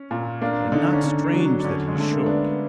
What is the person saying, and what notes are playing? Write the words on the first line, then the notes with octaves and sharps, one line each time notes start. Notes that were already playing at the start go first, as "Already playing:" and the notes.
And not strange that he should.
Already playing: C#4
A#2
A#3 D4
D4
D3 D#4
C#4
D3 D4
D4
F#3
D4
D4
D3 C#4
G#3
D3 A3
A#3
B3 D4